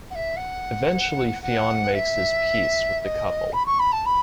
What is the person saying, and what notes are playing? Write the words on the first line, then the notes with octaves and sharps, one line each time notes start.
Eventually Fionn makes his peace with the couple.
F#5
E5
F#5
F#5
E5
E5
D#5
B5
C#6
B5
A5
B5